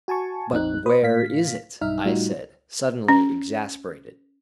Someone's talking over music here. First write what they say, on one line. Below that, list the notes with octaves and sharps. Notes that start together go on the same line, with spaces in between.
"But where is it?" I said, suddenly exasperated.
F#4 G#5 A5 C#6
A#1 F2 C4 D#4 F#6
B4 C5 B5 D#6
A2 F5 B6
B1 G2 D#4 E5 F6
A2 G3 D#4 F4 F#4
C#4